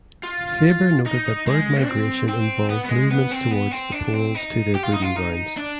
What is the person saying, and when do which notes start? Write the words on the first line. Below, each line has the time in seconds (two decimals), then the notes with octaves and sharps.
Faber noted that bird migration involved movements towards the poles to their breeding grounds.
0.23 F4
1.06 D#4
1.47 G#3
1.83 D4
1.88 C4
2.28 C4
2.70 B3
2.85 B3
2.90 G#3
3.11 B3
3.32 C4
3.51 B3
3.72 C4
3.92 D4
4.14 C4
4.34 D#4
4.75 G4
4.84 F4
4.93 D#4
5.02 F4
5.16 D#4
5.57 D4